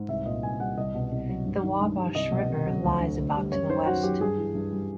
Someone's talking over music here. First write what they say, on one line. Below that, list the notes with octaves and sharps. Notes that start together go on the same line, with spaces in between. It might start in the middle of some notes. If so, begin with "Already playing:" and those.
The Wabash River lies about to the west.
Already playing: G#2
C2 E5
A#2 D#5
C2 G#5
G3 F#5
C2 D#5
B2
C2
F#3
G2
D#3
G2
G3
C2 D#5
B2
C2
F#3
D2
D3
D2
G3
F#2 C#5
D#3 C5
F#2 F#4
F#3 G4
G2 G#4
E3
G2
G3